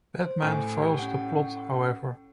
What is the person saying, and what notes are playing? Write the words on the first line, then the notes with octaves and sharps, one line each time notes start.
Batman foils the plot, however.
C5
A2 G#5
G4
C#4 F#5